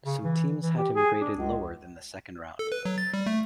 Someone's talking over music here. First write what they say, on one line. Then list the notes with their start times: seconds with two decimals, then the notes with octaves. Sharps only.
Some teams had him rated lower than the second round.
0.05 C#3
0.24 E3
0.62 E3
0.78 G4
0.96 G#4
1.21 D4
1.35 C#2
2.59 A4
2.72 B4
2.85 F#3
2.98 A6
3.14 G3
3.26 A3